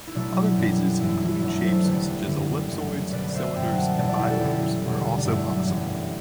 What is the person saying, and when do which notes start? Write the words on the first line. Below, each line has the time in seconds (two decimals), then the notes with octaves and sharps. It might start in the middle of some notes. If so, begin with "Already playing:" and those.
Other phases, including shapes such as ellipsoids, cylinders, and bilayers, are also possible.
0.07 E4
0.15 B2 F#3 A3 D4
0.57 F#2 E3 G3
1.00 F#2 E3 A3 E4
1.21 E4
1.42 F#2 F#3 A3 D4 F#4
1.63 A4 C5
1.84 E2 D3 G3 G4 B4
2.27 F#2 D3 G3
2.70 F#2 D3 A3
3.12 B2 A3 B4 D5
3.34 C5 E5
3.55 F#2 E3 G3 E5 G5
3.76 F#5 A5
3.97 E2 B2 A3 D5 F#5
4.08 D5 F#5
4.19 E4 G4
4.30 F#4 A4
4.40 F#2 D3 G3 E4 G4
4.83 E2 B2 G3
5.17 D4
5.25 G2 F#3 A3 E4
5.67 F#2 E3 G3